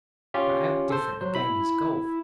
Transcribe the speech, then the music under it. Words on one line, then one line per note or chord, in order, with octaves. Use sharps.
But how different a game is golf.
C#4 F4 G4
A4 C5
F#3 C5
E4 B5